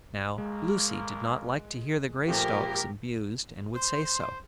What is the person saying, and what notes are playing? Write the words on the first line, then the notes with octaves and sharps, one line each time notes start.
Now Lucy did not like to hear the Greystocks abused, and would say so.
B1 G#3 A#3
E2 A#2 F3 A3 A#3 G4 A#4
C5 C6